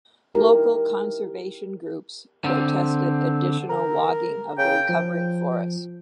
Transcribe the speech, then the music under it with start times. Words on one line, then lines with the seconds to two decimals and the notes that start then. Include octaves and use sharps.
Local conservation groups protested additional logging of the recovering forest.
0.35 D#4 E4 G4 A#4
2.44 D3 C4
3.70 A#4
4.58 C#3 G5
4.89 F3